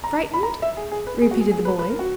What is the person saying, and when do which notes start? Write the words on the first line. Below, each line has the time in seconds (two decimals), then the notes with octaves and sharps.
'Frightened?' repeated the boy.
0.04 A#5
0.34 B5
0.43 A#5
0.62 E5
0.77 G#4
0.91 G#4
1.07 B4
1.21 G#4
1.31 F#4
1.41 G#4
1.51 G#4
1.65 B4
1.79 B4
1.90 A#4
1.99 F#4